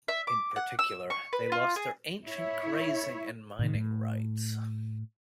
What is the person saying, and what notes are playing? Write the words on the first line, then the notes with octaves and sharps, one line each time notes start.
In particular, they lost their ancient grazing and mining rights.
E5
D6
F#5
E6
C#6
B4
F4
G#4
E4 C#5 E5
A2 C3 D#3
A2